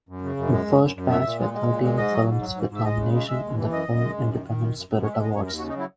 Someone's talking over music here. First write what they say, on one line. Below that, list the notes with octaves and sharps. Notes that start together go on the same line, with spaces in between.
The first batch were thirteen films with nominations in the Film Independent Spirit Awards.
F#2
C#3
F#2
G#3
F#2
F#2
F#2
A#2 E5
A#2
G#3
G#3
A#2
G#3
G#2 D#5
F#3
G#2
F#3
G#2
G#2
E5
G#3 D#5
C#3
G#3
G#3 E5
D#2
E3
F#2 D#5
F#2
G#3
F#2
D#3
D#3
F#2
F#2
F#2
G#3 C#5
E5
G#3
D#5
F#2 C#5
D#2 A#4
F#4
C#3
D#4
F#3 E4